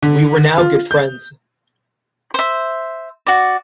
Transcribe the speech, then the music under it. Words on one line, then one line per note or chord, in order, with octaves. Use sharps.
We were now good friends.
D3
F4
G6
C5 E5
F#4 D5